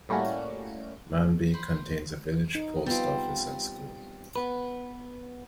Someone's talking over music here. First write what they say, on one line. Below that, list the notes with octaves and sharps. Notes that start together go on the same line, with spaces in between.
Manby contains a village post office and school.
A2 G3 A3 A#3 C#4 F#4
C5 B5
D#4
G3 B3 C4 F4
B3 B4